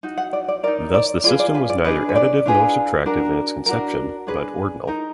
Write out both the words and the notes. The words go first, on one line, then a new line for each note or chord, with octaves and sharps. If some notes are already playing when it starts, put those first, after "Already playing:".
Thus the system was neither additive nor subtractive in its conception, but "ordinal".
D#4 F#4
F#5
D5
D5
D#4 A#4 D5
D5
F4 G#4 B4 D5
D5
B4
D5
D4 G#4 B4 D#5
B4
D5
D4 F4 G#4 B4
D4 F#4 A#4
D4 F#4 A#4
D4 G#4 B4
D#4 A#4